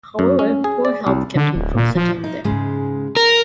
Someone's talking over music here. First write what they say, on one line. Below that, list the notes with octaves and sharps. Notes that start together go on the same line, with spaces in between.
However, poor health kept him from settling there.
F#2
C#4
G#4
D5
C2
D3
D1
A#2
F3
D#4
G#2 C#3 G#3
A#4